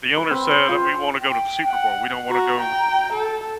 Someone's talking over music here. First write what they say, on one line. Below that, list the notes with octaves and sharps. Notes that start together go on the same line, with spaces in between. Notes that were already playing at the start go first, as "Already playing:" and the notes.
the owner said that, "We wanna go to the Super Bowl, we don't wanna go
B4
C4
C5
F4
G5
F#5
F#4 A#5
G5
A4